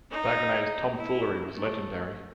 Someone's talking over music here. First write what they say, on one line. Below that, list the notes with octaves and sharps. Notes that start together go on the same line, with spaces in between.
Dagonet’s tom-foolery was legendary.
D#4
E4
A3